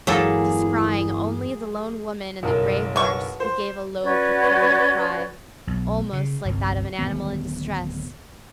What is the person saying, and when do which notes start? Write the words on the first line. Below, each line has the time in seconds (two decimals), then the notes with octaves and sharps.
Descrying only the lone woman and the gray horse, he gave a low peculiar cry, almost like that of an animal in distress.
0.07 G1 E2 F#3 G#3 A#3 E4 G#4 A4
2.43 F#1 B1 A#4
2.96 B2 C#6
3.40 C5
4.02 C#4 F#4 B4 D5
5.67 B1
6.13 C#3
6.45 G1 C2
6.99 D1 D#3 B3